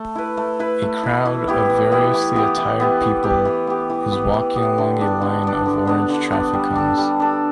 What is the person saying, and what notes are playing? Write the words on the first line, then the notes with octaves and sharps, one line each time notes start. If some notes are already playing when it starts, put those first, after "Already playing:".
A crowd of variously attired people is walking along a line of orange traffic cones.
Already playing: A3
E4 B4
A3
E4 B4
A3
E4 B4
E3
B3 E4 G4
E3
B3 E4 G4
E3
B3 E4 G4
E3
B3 E4 G4
E3
B3 G4
E3
B3 G4
E3
B3 G4
E3
B3 G4
D3
B3 D4
D3
B3 D4
D3
B3 D4
D3
B3 D4
G3
D4 A4
G3
D4 A4